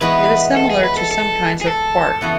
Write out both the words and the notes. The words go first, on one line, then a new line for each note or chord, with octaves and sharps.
It is similar to some kinds of quark.
E3 G#3 B3 F#4 B4
A4
G#4
B4
A4
A4
G#4
A4
C#3 E3 B3 F#4